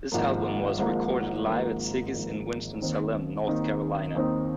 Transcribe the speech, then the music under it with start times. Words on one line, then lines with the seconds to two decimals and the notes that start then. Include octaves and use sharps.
This album was recorded live at Ziggy's in Winston-Salem, North Carolina.
0.12 G#1 G#2 F3 A#3
0.78 G#1 G#2 F3 A#3
1.46 G#1 G#2 F3 A#3
2.13 G#1 G#2 F3 A#3
2.80 D#2 D#3 C4 D#4
3.47 D#2 D#3 C4 D#4
4.15 D#2 D#3 C4 D#4